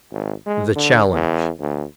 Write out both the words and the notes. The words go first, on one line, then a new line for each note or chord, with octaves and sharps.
The Challenge.
G#1
G#3
D3
E2
D2